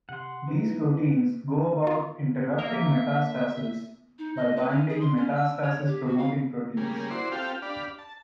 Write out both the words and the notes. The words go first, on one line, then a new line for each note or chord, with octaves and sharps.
These proteins go about interrupting metastasis by binding metastasis-promoting proteins.
C3 F#5 C6
D#4 E4 B4
F4
A#3 E5
D#4
D#5
B4
C#4
G#4
C6
C#4
E6
C#5
G4
F#4
F5
C#3 G3 A#3 G#4
E4 F#4 C5 D5 C6
C4 F4 G4 A4 F5 G5
D4 G4 D5 F5 B5
A5